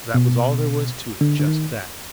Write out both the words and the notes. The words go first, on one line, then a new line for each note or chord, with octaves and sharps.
That was all there was to it--just that!
B2
D3
D3
D#3